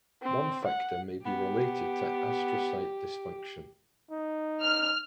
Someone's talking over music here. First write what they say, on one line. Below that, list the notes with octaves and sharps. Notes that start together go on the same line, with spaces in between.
One factor may be related to astrocyte dysfunction.
C4
F#5
B3 G4
D#4
F6